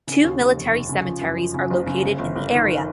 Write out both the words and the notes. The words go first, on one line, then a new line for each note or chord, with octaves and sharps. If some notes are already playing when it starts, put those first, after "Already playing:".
Two military cemeteries are located in the area.
C#3
D#2
D#2
F1
F1
C#3
F3
F#2
F3
C#3
F#1
C#3
G1
G1
G1
D#3